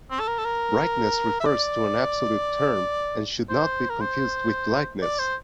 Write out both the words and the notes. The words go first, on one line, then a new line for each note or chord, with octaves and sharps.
Brightness refers to an absolute term and should not be confused with Lightness.
C4
A4
A#4
A4
A#4
E5
D5
C5
A#4
C5
D5
C5